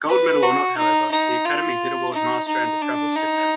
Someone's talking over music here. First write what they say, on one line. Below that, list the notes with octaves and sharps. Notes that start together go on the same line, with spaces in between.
Gold medal or not however, the Academy did award Marstrand a travel stipend.
B4
F#4
D#4
D#4
F4
D#4
D#4
D4
D#4